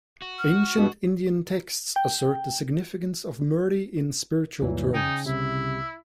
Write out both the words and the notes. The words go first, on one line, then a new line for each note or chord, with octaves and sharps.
Ancient Indian texts assert the significance of "Murti" in spiritual terms.
F#4
F6
G2 B2
G5
D2 G2 A#2 E3 F#3
C#3 D#4 G5 G#5
C2 C3 E4